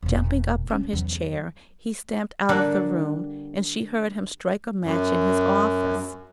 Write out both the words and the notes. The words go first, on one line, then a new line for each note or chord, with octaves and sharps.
Jumping up from his chair, he stamped out of the room, and she heard him strike a match in his office.
E1 A#2
C#4
E2 F#3
D3 G3 A#3 D4 F#5
F#2